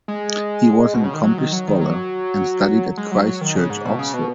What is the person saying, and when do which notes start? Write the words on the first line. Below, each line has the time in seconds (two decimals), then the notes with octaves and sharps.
He was an accomplished scholar, and studied at Christ Church, Oxford.
0.08 G#3
0.94 B2
1.04 C#3
1.14 D#3
1.23 F#3
1.38 D#3
1.53 F#3
1.67 D#3
1.81 F#3
2.97 G#3
3.11 F#3
3.27 F#3
3.41 D#3
3.56 C#3
3.70 G#2
3.85 B2
3.99 C#3
4.14 B2